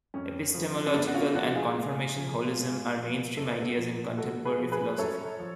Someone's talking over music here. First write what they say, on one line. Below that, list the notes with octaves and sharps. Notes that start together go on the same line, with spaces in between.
Epistemological and confirmation holism are mainstream ideas in contemporary philosophy.
F2 C#4
C#3 F3
C#4
F#2 B3 D4
F#4
C#4 F4
F3 D4 F#4
F4 G#4
A2
F3
G#2
F3
F#2 A4
B4
F#4 A4
F3
A2 F#4 A4
G#4 B4
F3
G#4 B4
F#2 A4 C#5
F3